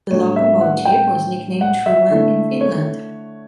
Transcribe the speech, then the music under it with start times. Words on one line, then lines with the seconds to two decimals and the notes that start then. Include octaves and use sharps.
The locomotive was nicknamed "Truman" in Finland.
0.11 A2 G3 D4 C#5
0.36 E5
0.61 F#5
0.85 G5
1.61 F#5
1.86 E5
2.10 D3 A3 E4
2.61 C#5